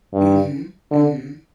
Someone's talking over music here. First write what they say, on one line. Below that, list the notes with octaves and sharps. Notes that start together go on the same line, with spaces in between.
Mhm, mhm.
G2
D3